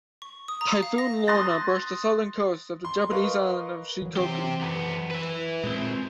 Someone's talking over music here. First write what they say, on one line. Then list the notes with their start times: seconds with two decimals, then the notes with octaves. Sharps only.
Typhoon Lorna brushed the southern coast of the Japanese island of Shikoku.
0.22 C#6
0.48 D#6
0.61 A#5
0.83 F5
0.98 A#6
1.27 C6 D#6 F#6 A6 A#6
2.85 C6
3.10 A#4 B4 D#5 F5 C#6
4.02 E3 F#3
4.17 C4 G4
4.61 F#2 B3
5.11 B4 E5
5.64 A#2 G#3 C4